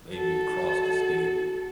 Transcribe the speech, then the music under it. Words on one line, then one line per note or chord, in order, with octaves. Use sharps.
maybe across the state.
F#4 A4